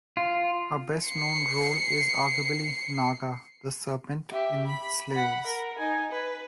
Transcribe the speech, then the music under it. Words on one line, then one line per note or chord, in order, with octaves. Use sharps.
Her best-known role is arguably Naga the Serpent in "Slayers".
F4
C7 C#7
G4 E5
B5
F#5 B5
A#4
D#4 G#5
B4